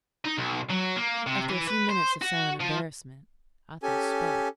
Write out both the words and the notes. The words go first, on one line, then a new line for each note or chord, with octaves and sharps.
After a few minutes of silent embarrassment, Athos spoke.
D#4
B1
F#3
A#3
C3
E3
B4
C5
F#4
F3
C#4 G4 A4 G#5